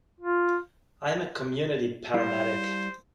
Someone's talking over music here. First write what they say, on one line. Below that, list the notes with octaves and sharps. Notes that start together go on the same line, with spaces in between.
I am a community paramedic.
F4
G3 E4 C5 F5